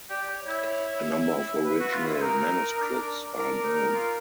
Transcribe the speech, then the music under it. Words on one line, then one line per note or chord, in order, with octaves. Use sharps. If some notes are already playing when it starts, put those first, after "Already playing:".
A number of original manuscripts are known.
G4 D5
C#5
E4
B4
F#4
F4
E4
D#4 A#4
D4
D4 A#4
D#4
F4